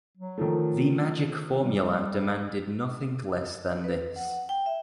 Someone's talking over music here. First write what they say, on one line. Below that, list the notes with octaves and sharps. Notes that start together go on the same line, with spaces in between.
The magic formula demanded nothing less than this.
F#3
D#3 F3 A3
G3
B4
F#5
G5
E5